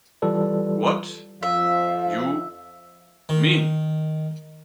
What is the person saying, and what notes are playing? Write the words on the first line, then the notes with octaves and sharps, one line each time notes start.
What you mean?
E3 G3 F4 A4 B4 D5
F2 F3 E5 F5
D#3